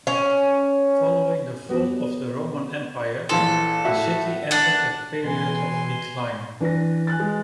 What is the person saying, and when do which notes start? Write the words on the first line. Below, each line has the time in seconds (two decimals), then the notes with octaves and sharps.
Following the fall of the Roman Empire, the city entered a period of decline.
0.07 C#4
1.69 B3 F#4 G4
3.29 A#1 E3 A4 C6
3.85 A2 F#4 E5
4.51 D4 F#5
5.24 B2 E3 G#5 C6
6.60 E3 D4 B4 A#6
7.07 G#5 F#6 A6
7.20 G#3